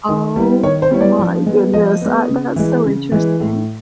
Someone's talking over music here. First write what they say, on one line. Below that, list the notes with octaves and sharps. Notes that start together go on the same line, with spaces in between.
Oh my goodness. I that's so interesting.
D#3
G3 B3 E4
D#3 C#5
C5
G3 B3 E4 C#5
D5
F3
G#3 B3
F3 D#5
G#3 B3
C#3
E3 G#3
C#3
E3 G#3
A2